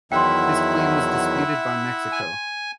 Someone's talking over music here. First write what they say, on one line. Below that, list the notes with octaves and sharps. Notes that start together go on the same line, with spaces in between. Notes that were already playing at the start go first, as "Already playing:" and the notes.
This claim was disputed by Mexico.
E2 D#3 F#3 E4 E5 F#5 G5 C6
G#5